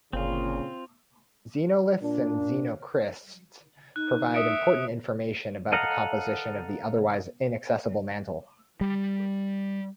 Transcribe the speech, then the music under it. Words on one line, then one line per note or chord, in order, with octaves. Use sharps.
Xenoliths and xenocrysts provide important information about the composition of the otherwise inaccessible mantle.
G1 A#2 C#3 C4 F4
A#2 D4
D#4 F#6
E5 D#6 C#7 D7
A4 D#5 F5 F#5 A#5
G3